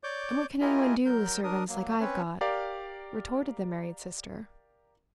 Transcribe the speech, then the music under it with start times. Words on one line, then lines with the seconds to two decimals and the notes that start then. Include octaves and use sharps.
'And what can any one do with servants like I've got?' retorted the married sister.
0.04 C#5 D5 D6 G6
0.61 E4 F4 G4 A#4 D#5 G#5
1.05 F#3 A#4 G6
1.44 D4 A#4 D#6
1.69 F#3 A#3
2.00 C4 C#4 B4 C#5
2.41 G4 A#4 D5 F5